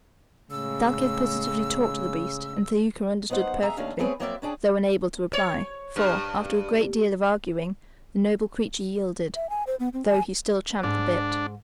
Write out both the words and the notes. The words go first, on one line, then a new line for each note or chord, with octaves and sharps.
Thalcave positively talked to the beast, and Thaouka understood perfectly, though unable to reply, for, after a great deal of arguing, the noble creature yielded, though he still champed the bit.
A2 C#3 G#3 E6
F#3 B3 D#4 C5 F#5
F2 G#4 E5 A#5
D#2 A3 C#4 D4 F5
A3 B3 C4 G#4 B4 C#5
F3 F#3 A#3 C4 D5 E5
C#4 D4 G#4 G5 A5
C#5
G2
E5
G#5
C5
B3
C4
G#5
G#2 D4